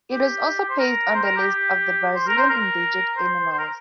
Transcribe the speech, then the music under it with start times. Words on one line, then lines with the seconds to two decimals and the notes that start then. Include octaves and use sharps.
It was also placed on the list of the Brazilian endangered animals.
0.12 G4
0.69 C5
0.79 A#4
1.14 C5
1.24 A#4
1.37 G4
1.48 G4
2.15 C5
2.28 A#4
2.38 C5
2.50 A#4
3.17 C5
3.52 C5
3.59 A#4